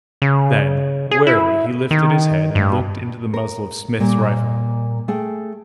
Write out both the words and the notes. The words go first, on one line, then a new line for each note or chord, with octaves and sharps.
Then, warily, he lifted his head and looked into the muzzle of Smith's rifle.
C#3
G#4
E4
D#3
G2
A#4
A#2 G3 A#3
A3 G#4 G5